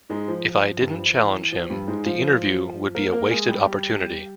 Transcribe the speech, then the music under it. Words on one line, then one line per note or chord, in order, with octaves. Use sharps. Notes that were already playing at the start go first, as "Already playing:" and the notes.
If I didn't challenge him, the interview would be a wasted opportunity.
G#2 G#3
F3
F3
G2 G3
F3
E3
F3
G2 G3
G#2 G#3
F3 F4
A#3 A#4
A#3 A#4
G#3 G#4
G3 G4
G3 G4